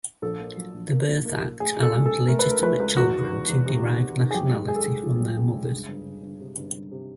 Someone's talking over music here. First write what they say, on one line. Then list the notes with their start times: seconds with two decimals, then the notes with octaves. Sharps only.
The Birth Act allowed legitimate children to derive nationality from their mothers.
0.22 A#1 A4
0.40 A#3
0.57 F#3
0.74 A#1
0.91 A#3
1.09 A#2
1.25 A#3
1.42 A#3
1.60 A3 G#4
1.77 C3 A4
1.94 C#2
2.06 C3 A4
2.28 A3 A#4
2.39 B4
2.46 A3 A#4
2.62 A3 B4
2.80 C#2
2.97 E2 F#4
3.15 D#3
3.32 E2
3.49 E2
3.66 C3
3.83 D#3
4.00 C3
4.17 D#3
4.31 G#4
4.34 F#2 G4
4.51 G#3
4.68 G#3 G#4
4.76 A4
4.83 G#3 G#4
5.03 F3
5.20 F#2
5.37 C#3
5.54 G#3
5.71 G1
5.88 G1
6.05 G1
6.22 G1
6.40 C3
6.57 G1
6.74 G1
6.91 C3